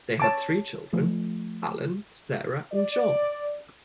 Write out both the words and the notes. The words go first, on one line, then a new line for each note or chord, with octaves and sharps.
They had three children: Alan, Sarah, and John.
C#5 A5 D6
F3 A3
D5